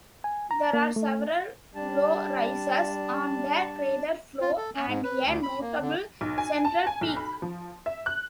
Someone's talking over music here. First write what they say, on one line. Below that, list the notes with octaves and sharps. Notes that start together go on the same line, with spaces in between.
There are several low rises on the crater floor and a notable central peak.
G#5
A#5
A#3
A3
G3 D4 A5
F4
A4
C#4
G#2
B4
D2
B5
A#3
D3
B1
G#5
A5
G#5
B1
B5
F3
E5
F#6